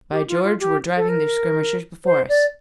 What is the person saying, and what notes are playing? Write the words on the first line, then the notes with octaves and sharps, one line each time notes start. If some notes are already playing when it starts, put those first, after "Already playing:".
By George, we're driving their skirmishers before us!
G4
F4
F4
G4
A4
A#4
C5
D5